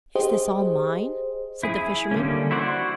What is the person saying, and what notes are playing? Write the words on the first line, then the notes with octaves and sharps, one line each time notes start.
"Is this all mine?" said the fisherman.
G4 G#4 C5 D#5
E4 G#4
D3 G3 A#3 C#4
E4 F#4 C5 D5 F#5